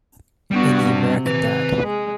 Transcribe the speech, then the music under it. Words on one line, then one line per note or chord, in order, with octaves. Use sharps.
In the American Dad!
G3 B3 D4 F#4
C3
B4 G#5
G#3